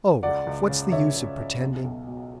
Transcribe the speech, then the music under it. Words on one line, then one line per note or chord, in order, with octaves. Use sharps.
Oh, Ralph, what's the use of pretending?
C#2 D5 F#5
C#2
C#3
C#2 C#5 E5
C#2
C#2
B1
B1
B2